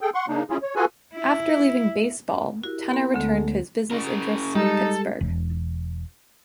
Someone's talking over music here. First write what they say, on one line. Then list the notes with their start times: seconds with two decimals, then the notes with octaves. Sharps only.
After leaving baseball, Tener returned to his business interests in Pittsburgh.
0.01 G#4 A4 G5
0.14 F#5 C6 C#6
0.28 C#3 A#3 D4 D#4
0.50 C#4 E4 F4 G#4
0.62 C#5
0.76 F4 F#4 G#4 A4 B4 G#5
1.15 E4
2.63 E4 F#4 G4 A#4
2.91 B3 C6
3.14 D2 D3 G#3 A3 A4
3.91 C#3 A#4
4.55 G3 G#3 D#4 A4
5.21 E1